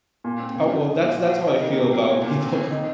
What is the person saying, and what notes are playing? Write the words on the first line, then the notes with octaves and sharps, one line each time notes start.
Oh, well, that's that's how I feel about people
A#2
C4
C#3
F#2
G#3
A#2
F#4
C5
D#3
A#3
C3
F#3
A#2
A#2
C4
C4
D#3